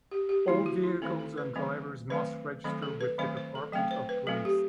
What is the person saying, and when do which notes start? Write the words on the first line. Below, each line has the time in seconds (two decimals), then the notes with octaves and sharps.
All vehicles and drivers must register with the Department of Police.
0.11 G4
0.29 G4
0.48 D#3 A3 C4 E4
0.66 F#4
0.84 E4
1.02 D#3 A3 C4 A4
1.19 A4
1.38 B4
1.56 D#3 F#3 A3 C4
2.10 D#3 F#3 A3 C4 B4
2.64 D#3 F#3 A3 C4 A4
2.82 A4
3.01 B4
3.18 D#3 F#3 A3 C4 C5
3.37 C5
3.55 A4
3.73 F#3 A3 C4 G5
3.91 C5
4.09 B4
4.27 F#3 A3 C4 A4
4.45 G4